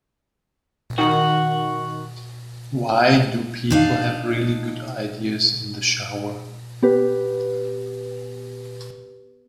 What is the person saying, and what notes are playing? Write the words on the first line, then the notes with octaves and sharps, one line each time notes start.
Why do people have really good ideas in the shower?
D#3 F#4
D4 D#4 F5
B3 G4 B4